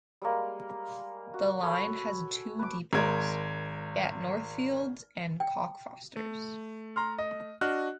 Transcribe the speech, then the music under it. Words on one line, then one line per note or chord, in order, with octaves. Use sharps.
The line has two depots, at Northfields and Cockfosters.
G3 G#3 A#3
F#4
A4 C#5 G#5 B5
B4 D6
G#1 G#3 A#4 G#6
G5
A3
A#5 C6 F6
D#5
D4 F#4 D#5 F6 F#6